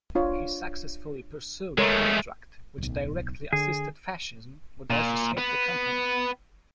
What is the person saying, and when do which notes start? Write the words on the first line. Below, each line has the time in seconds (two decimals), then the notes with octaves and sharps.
He successfully pursued the contract, which directly assisted fascism but also saved the company.
0.15 D4 F4 C#5
1.78 G#3 A3 A4 A#4 C#5
2.78 D1 B1
3.53 D3 G#4
4.90 A#2
5.38 B3